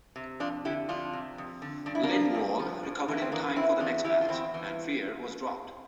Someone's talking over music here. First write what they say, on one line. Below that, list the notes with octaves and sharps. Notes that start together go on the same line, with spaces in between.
Lindwall recovered in time for the next match, and Freer was dropped.
C3
F2 D4 F4
D3 E4 G4
F2 D4 F4
C3
F2
D3
G2 D4
E4
A#3 D4
F3
G2
F3
A2
E3 A#3
C4
E2 A#3 D4
E3 C4 E4
E2 D4 F4
E3 E4 G4
F4
E2 C4 E4
E3